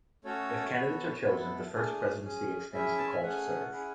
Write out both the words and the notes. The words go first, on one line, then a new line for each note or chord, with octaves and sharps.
If candidates are chosen, the First Presidency extends the call to serve.
A3 C#4 F#4 A4 C#5
B3 F#4 A4
B3 E4 A4
A3 D4 G#4
C#4 G#4
C#4 E4 G#4 E5
A5
G#5
A3 C#4 G#4 F#5
C#4 E4 G#4